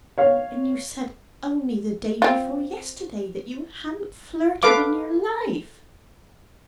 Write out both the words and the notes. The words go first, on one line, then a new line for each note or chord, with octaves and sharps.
"And you said only the day before yesterday that you hadn't flirted in your life!"
C#5 F5
C4 F4
A4 B4 F5 D6